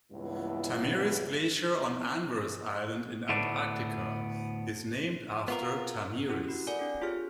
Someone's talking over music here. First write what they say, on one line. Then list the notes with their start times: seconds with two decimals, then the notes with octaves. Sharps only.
Thamyris Glacier on Anvers Island in Antarctica is named after Thamyris.
0.12 C#2 G2 A#2 E3 B3 E4
3.29 D2 A2 A3 B3 D4
5.48 B3 F4 A#4
6.29 C#4 E4 G4 F#6
6.48 F#4
6.67 A4 A#4 D5 F#5 G#5
6.79 C4 D4 A4
7.02 F4 G4 G#4 C#5 F6